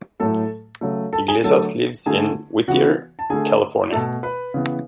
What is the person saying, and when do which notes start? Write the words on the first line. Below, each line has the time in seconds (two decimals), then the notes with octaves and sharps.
Iglesias lives in Whittier, California.
0.20 A2 F#3 A3 A4 A5
0.81 C#3 F#3 A3
1.13 A4 A5
1.28 G#4 G#5
1.44 D3 F#3 A3 A4 A5
2.06 D3 A3 G#4 G#5
2.68 C#3 E3 B3 F#4 F#5
3.19 A5
3.30 D3 A3 G#4 G#5
3.92 B2 A3 A4 A5
4.23 B4 B5
4.54 C#3 E3 B3